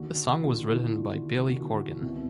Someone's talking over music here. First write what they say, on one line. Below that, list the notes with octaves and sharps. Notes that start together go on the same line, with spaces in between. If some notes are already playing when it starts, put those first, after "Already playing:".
The song was written by Billy Corgan.
Already playing: D#2 D3 F#4
D#2 D3 F4
E4
E4
D#2 D3 F4
D#2 D3 F#4
C2 B2